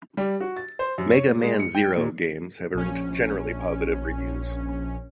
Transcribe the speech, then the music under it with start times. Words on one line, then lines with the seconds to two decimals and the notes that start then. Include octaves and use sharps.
"Mega Man Zero" games have earned generally positive reviews.
0.17 G3
0.40 F#4
0.57 A6
0.79 C5
0.98 F#2
1.12 C#5
1.29 A#2
1.43 G#3
1.60 C#7
1.75 G5
1.97 A#2
2.74 A#1 C#4